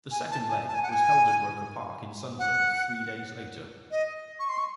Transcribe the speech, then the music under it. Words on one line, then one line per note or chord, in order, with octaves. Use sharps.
The second leg was held at Roker Park in Sunderland three days later.
G#5
A5
G#5
A5
G#5
F#5
G#5
F#5
D#5
C#6
C6
C#6